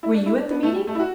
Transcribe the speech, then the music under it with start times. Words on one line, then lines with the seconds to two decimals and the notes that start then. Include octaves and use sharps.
"Were you at the meeting?"
0.03 E4
0.14 D4
0.26 E4
0.39 D4
0.51 B3
0.63 A3
0.75 G3
0.87 A3
0.95 E4
0.99 F#4